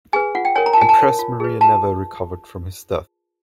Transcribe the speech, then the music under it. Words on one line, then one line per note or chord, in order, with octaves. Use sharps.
Empress Maria never recovered from his death.
G#4 B4 G#5
F4 F#5
G5
A#4 C#5 G#5
A#5
A5
F4 G#5
A5
A#4 C#5
F4
G#4 B4
F4 A5